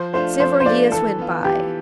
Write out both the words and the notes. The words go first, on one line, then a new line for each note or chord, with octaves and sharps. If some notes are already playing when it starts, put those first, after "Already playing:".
Several years went by.
Already playing: F3 C5
A3 D4 F4 C5
F3 C5
C5
A3 D4 F4 D5
E3 A4
B3 F4
E3 G4